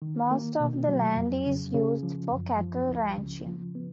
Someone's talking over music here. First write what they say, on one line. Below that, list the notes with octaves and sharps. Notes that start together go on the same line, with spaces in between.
Most of the land is used for cattle ranching.
D#3
A#3
B2
F#3
F2
C#3
C#3
F3
F#2
F3
C#2
C#3
F3
B3